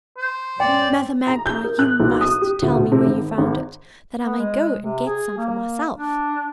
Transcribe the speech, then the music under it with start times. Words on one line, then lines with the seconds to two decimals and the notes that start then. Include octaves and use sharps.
"Mother Magpie, you must tell me where you found it, that I may go and get some for myself."
0.18 C5
0.60 G2 C4 C#4 D5 G5
1.27 A#5
1.46 G6
1.64 A#4
1.79 F#6
2.00 B1
2.21 D#6
2.42 G4
2.62 D2
2.74 B2
2.92 C3
3.06 G#1
3.38 G#1
4.25 B3
4.39 G#3
4.81 C3
5.07 G#4
5.38 A#3
5.97 D4